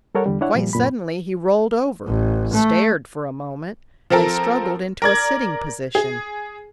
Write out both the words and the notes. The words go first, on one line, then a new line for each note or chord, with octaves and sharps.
Quite suddenly he rolled over, stared for a moment, and struggled into a sitting position.
G3 A4 A#4 C#5 F#5
E2 D3 G3
D4 E4 C#5 F#5
A#2 F3 G3
F#2 A#2 B5
A1
A3
F3 C4 A4 A#4
A#4 D5 G#6
G#4